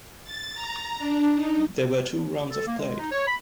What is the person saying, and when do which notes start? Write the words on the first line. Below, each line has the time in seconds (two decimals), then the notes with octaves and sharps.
There were two rounds of play.
0.25 A6
0.55 A#5
0.99 D4
1.35 D#4
2.50 A4
2.67 A#3
2.79 G#3
2.99 D#4
3.11 C#5
3.26 B5